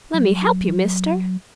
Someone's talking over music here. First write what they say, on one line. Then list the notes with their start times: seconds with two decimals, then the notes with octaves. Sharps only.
Lemme hep you, Mister.
0.14 F#3